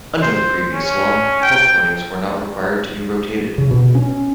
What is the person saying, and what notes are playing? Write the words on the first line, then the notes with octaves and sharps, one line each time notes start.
Under the previous law, health warnings were not required to be rotated.
C5
C#4
G5
C#3
B2
C#4